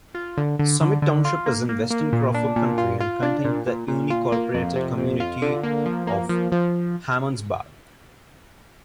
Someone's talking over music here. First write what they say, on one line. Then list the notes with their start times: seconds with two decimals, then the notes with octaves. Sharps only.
Summit Township is in western Crawford County and contains the unincorporated community of Harmonsburg.
0.15 F4
0.37 D3
0.59 D3
0.81 D3
1.02 D3
1.25 F4
1.46 A#3
1.69 A#3
1.90 A#3
2.13 A#2
2.34 D4
2.56 A#2
2.78 F4
3.00 F4
3.23 D4
3.45 A#2
3.67 A#2
3.88 A#2
4.10 F4
4.32 A#3
4.54 F2
4.76 C3
4.97 F2
5.20 F4
5.42 D3
5.63 A#3
5.86 F3
6.07 A#3
6.29 F3
6.52 F3